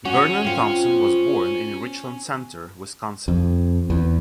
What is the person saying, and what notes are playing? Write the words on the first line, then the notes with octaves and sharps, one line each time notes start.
Vernon Thomson was born in Richland Center, Wisconsin.
C#4 F#4
C4 F4
F2
E2